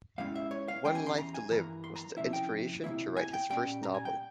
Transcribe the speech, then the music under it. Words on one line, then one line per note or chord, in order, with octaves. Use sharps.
"One Life to Live" was the inspiration to write his first novel.
G#2 G3 C#4 E4 F5
E5
C#5
F5
E2 E3 G3 C#4 G5
G#5
C6
A#5
G#5
G2 E3 A#3 A#5
C6
A#5
C3 F3 A#3 C#4 E4 E5
G5
C3 E3 A#3 E4
G#5
G5
A#2 G3 C#4 G5
A#5
G#5
G5